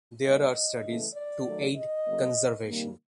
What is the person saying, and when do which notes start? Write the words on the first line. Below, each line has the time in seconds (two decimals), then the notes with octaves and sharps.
There are studies to aid conservation.
0.23 D3 G3 A#3 D#5
0.84 C#3 E3 A3
1.15 D5
1.45 D#3 F#3 A3
1.76 D#5
2.06 C#3 F#3 A#3
2.67 C3 D#3 G3 A#3